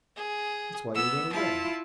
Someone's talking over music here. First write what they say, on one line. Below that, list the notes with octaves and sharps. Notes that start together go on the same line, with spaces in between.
That's why he went away.
G#4
B3 E6
E4 F4 A5